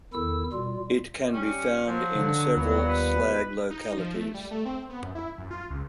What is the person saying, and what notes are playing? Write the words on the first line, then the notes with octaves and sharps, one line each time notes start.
It can be found in several slag localities.
E2 D#3 E4 A4 E6
B2 G3 F4
G3 C#4
F3 F#3
D3
D#2 G3 B3 F4 D5
B4
D#4
F3
A3
G3
A3
C4
B3
F#2
E4
F#2
F4
C#2